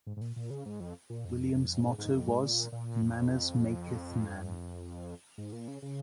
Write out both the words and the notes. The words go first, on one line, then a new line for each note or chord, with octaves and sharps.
William's motto was 'Manners makyth man'.
G#2
G#2
A#2
A#2
C#3
G#2
F2
A#2
F2
F2
G#2
G#2
F2
G#2
A#2
A#2
F2
G#2
A#2
C#3
C#3